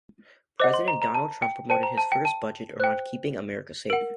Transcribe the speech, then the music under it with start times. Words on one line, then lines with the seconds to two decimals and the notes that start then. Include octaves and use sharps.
President Donald Trump promoted his first budget around keeping America safe.
0.60 C5 D#5 F#5 D6
0.74 C6
0.88 A#5
1.02 A#5
1.14 A5
1.42 G5
1.70 C5 G5 A5
1.83 A#5
1.98 A5
2.12 G5
2.25 A5
2.80 C5 G5 F#6
3.90 A#4 F#5 D7